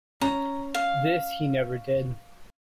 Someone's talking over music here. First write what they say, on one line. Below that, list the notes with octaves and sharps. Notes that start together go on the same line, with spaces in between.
This he never did.
C#4 A#5
F5